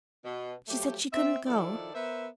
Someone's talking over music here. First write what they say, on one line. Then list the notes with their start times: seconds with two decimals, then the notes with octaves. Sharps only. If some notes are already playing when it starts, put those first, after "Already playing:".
She said she couldn't go.
0.25 B2
0.68 F3 F#3 A3 G4
1.12 C4 E5
1.47 D#3 F3 E4 A4 D5
1.94 B3 A#4 C5 E5